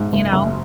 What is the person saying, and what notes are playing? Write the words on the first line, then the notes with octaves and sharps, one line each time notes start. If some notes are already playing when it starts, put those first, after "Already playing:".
you know?
Already playing: G#2
F#1
F#1